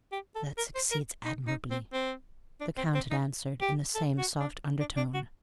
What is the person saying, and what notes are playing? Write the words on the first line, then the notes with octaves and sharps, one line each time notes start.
'That succeeds admirably,' the Count had answered, in the same soft undertone.
G4
A4
A#4
C5
A#4
D#4
D#4
C4
C4
D4
C4
C4
D#4
G4
A4
F#4
D4
D4
D4
F#4